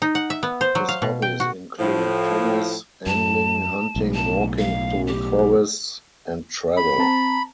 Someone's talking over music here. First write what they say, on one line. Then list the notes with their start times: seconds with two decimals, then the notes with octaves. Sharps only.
His hobbies include tennis, angling, hunting, walking through forests, and travel.
0.02 D#4
0.15 F#5
0.30 E5
0.43 B3
0.61 C5
0.75 F#3
0.89 F5
1.02 B2
1.22 G5
1.40 F#4
1.78 A2 F3
3.07 F#2 A5
3.96 B1 A2
4.15 A5
4.58 F5
5.07 G4
6.77 B5
6.99 C4 A5 A#5